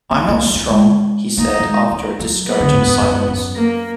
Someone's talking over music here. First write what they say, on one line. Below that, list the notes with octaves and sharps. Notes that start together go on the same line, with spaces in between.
"I'm not strong," he said after a discouraging silence.
A#3
A#3
A#3
A#3
G#3
A#3 D#4
F#3
G#3
A#3
F#3
B3
D3
G#2
F#2
F#2
F#2
A#3